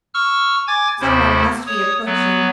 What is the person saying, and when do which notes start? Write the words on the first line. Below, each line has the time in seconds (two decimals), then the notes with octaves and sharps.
Some one must be approaching.
0.14 C#6 E6 F6
0.67 G#5 D6 G#6 A6
1.00 D#2 C3 E4 C5
1.66 C#5 D#6
2.05 F#3 B3